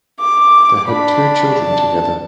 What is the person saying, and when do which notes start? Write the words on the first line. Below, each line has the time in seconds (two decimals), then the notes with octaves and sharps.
They had two children together.
0.20 D6
0.89 D4 B5
1.58 A5